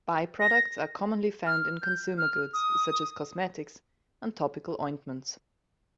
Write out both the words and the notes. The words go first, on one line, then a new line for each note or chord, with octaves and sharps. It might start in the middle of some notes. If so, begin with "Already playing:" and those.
By-products are commonly found in consumer goods such as cosmetics, and topical ointments.
A#6
F6
G6
F6
D#6